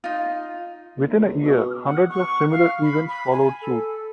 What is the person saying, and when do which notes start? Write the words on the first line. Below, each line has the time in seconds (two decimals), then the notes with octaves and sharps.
Within a year, hundreds of similar events followed suit.
0.04 D#4 F4
0.97 A#1
1.18 C#2
1.43 B2
1.86 F#5
2.10 C#6
2.52 F5
2.83 B5
3.08 B5
3.32 G#5
3.62 A4